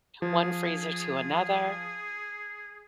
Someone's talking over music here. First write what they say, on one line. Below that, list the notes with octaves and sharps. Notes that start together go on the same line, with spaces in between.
one freezer to another?
F3 G#4